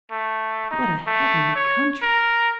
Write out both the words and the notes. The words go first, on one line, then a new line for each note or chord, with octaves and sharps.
What a heavenly country!
A3
D#4
A3
C#5
A#4